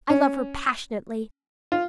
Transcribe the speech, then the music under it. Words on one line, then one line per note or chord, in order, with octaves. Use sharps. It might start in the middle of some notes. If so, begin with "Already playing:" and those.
I love her passionately.
C#4
F4